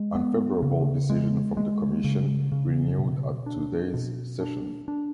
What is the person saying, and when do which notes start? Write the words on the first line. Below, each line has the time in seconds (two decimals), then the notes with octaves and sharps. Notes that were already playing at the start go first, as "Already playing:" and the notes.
Unfavorable decision from the commission, renewed at todays session.
Already playing: G#3
0.15 B3
0.62 C#3
1.10 G#3
1.57 G#3
2.04 C#3
2.52 C#3
2.99 B2
3.46 D4
3.94 B2
4.41 D4
4.88 D4